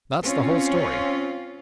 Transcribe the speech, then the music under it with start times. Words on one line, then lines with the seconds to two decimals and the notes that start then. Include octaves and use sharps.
That's the whole story.
0.22 C4 C#4 F4